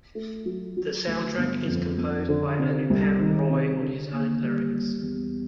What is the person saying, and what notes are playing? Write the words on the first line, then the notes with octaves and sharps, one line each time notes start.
The soundtrack is composed by Anupam Roy on his own lyrics.
A3
F#3
F#3
D2
G1
F2
F2
D3
C3
C2
D#3
C3
D3
D#2
G3
G3
E2